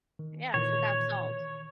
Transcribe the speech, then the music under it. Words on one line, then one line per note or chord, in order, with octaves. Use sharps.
Yes, without salt.
D#3
A#2 D#3 E3 C#5